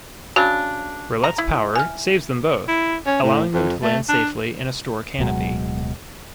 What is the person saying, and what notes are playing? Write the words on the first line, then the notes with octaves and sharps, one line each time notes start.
Roulette's power saves them both, allowing them to land safely in a store canopy.
C#3 D4 F#4
A#5
E4
G#5 F6
E4
C#4
A2
F2
A3
D4
D1 B2 F#3 G#3